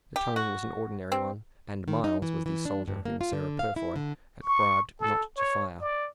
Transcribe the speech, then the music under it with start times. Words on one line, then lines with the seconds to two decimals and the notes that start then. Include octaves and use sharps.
The tone was an ordinary one, and Miles was the soldier whom Sarah Purfoy had bribed not to fire.
0.16 G4
0.36 F#4
1.12 C4
1.88 D#3
2.04 D#4
2.22 E3
2.46 E3
2.65 D4
2.88 G2
3.05 A#3
3.21 F4
3.33 D3
3.59 F5
3.76 E4
3.96 D3
4.43 C#6
5.00 A4
5.37 C#5
5.81 D5